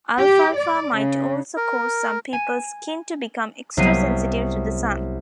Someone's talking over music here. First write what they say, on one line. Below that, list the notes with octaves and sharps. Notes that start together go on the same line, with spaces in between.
Alfalfa might also cause some people's skin to become extra sensitive to the sun.
G4
D5
C#3
A#4
G#5 E7
C2 F#3 A#3 B3 C7 D#7